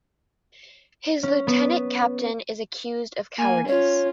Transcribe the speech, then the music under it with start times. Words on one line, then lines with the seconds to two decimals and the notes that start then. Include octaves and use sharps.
His lieutenant captain is accused of cowardice.
1.23 C#4
1.47 B3
3.38 A#3 G#5
3.68 C#4 F4 C#5